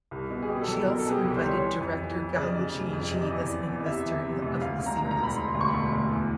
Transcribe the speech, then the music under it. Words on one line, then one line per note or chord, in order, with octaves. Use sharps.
She also invited director Gao Xixi as an investor of the series.
C2
B2
G#4
B2 G4
A4
F#3
A4
B2 A#4
A4
B2 G#4
G4
C2 G4
C5
C2
C#5
E3
F2
E3
E3
C#3 D5
D#5
C#3 D5
F1
F2
C3 D#5
D5
E2 D#5
E2 D5
E2
C3 E5
E2
C3
F1
D2 F5
F5
D2
A#5
E1 A#5
A#5
E1
B5
E1 C6
C6
D2
C#6
B5
E1 C6
D2
E2